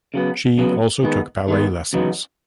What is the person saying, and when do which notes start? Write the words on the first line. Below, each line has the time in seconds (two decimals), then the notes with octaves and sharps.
She also took ballet lessons.
0.14 C#3 F#3 B3
0.58 C#3 F#3 B3
1.03 D#3 G#3 B3
1.48 D#3 G#3 B3
1.93 E2 C#3 F#3 B3 D#4